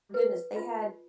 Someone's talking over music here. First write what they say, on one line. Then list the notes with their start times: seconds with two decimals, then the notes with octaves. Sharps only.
goodness, they had
0.14 B4
0.56 F4